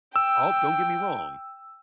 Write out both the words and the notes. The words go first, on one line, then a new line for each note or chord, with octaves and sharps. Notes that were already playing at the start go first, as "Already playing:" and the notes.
Oh, don't get me wrong,
G5 E6